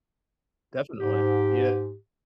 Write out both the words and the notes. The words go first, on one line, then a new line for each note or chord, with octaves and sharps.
Definitely. Yeah,
G#2 G4